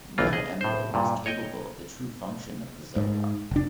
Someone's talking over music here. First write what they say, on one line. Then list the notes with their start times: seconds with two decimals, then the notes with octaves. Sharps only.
No emulator is capable of the true function of the Zohar.
0.18 B1 E3 A#3 F4
0.33 G#4 D#5
0.61 A2 C5
0.94 G2 A#2
1.26 C#5 D#5 G5
2.96 G#2
3.51 F1 D4